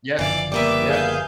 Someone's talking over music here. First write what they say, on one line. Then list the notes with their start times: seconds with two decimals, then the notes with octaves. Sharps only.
Yes. Yes.
0.19 F#1 D3 E3 F3 E4 D5 F5
0.52 G3 A#3 B3 B4 E5 D6
0.89 G#4 F5 G6